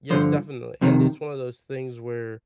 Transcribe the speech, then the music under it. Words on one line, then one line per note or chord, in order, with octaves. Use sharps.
Yes, definitely, and it's one of those things where,
G2 D3 F3 C5
F2 C3 D#3